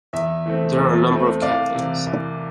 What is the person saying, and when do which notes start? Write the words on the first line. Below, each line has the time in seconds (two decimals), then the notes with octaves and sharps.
There are a number of cafes.
0.13 E2 E5
0.46 E3 A3 C4
0.77 E2
1.10 E3 A3 C4
1.42 C2 D5 F5
1.74 C3 E3
2.06 C2